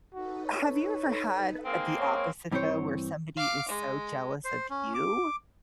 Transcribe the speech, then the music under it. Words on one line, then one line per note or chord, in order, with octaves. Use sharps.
Have you ever had, uh, the opposite, though, where somebody is so jealous of you?
D#4 F#4 A4 B4
C#5
G#3 A#3 C4
C#5
G2 E3 C4 C#4 C5 C#5
F5 D6
G#3
C5
C#4
D6